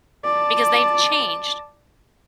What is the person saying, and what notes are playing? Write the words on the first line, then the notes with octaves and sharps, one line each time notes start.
because they've changed
D5 A5